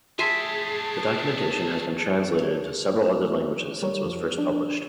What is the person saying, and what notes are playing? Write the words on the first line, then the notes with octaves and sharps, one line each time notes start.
The documentation has been translated into several other languages since it was first published.
A3 G4 G#4 E5 G#5 A5 C6
A3
G3 A#4 C#5
F2 F3
D4